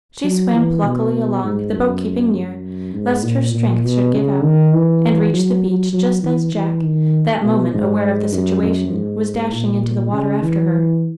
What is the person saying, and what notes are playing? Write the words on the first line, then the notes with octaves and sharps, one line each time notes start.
She swam pluckily along, the boat keeping near, lest her strength should give out, and reached the beach just as Jack, that moment aware of the situation, was dashing into the water after her.
F#3
E3
B2
G#2
F#2
F#2
G#2
A#2
A#2
B2
C#3
D#3
E3
F#3
F#3
E3
E3
D#3
B2
G#2
F#2
F#2
G#2
A#2
C#3
E3